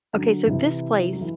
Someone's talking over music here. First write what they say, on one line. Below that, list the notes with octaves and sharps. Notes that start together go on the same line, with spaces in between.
Okay, so this place
D3 F#3
C3 E3
F#3
E3